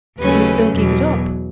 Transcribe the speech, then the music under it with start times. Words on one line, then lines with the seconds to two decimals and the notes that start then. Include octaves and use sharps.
"Do you still keep it up?"
0.19 D#2 C#3 F#3 A3 C#4 B4
0.72 E2 B2 F#3